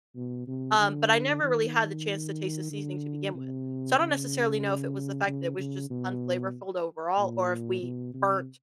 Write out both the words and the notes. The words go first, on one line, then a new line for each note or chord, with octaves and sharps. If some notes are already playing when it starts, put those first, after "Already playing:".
um, but I never really had the chance to taste the seasoning to begin with. So, I don't necessarily know if it was the fact that it was just unflavorful overall or if we burnt
B2
C3
D3
D#3
D3
C3
C#3
C#3
C#3
B2
A#2
B2
C3